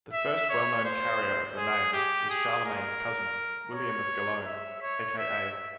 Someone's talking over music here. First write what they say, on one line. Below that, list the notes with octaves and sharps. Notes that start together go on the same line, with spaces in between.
The first well-known carrier of the name was Charlemagne's cousin William of Gellone, a.k.a.
E5
C#5
C5
G#4
G4
G#4
A#4
C#5
E5
C#5
E5